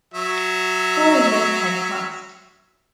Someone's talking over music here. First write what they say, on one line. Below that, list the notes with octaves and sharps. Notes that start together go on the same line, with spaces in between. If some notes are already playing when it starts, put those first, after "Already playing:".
Four years had passed.
F#3 E5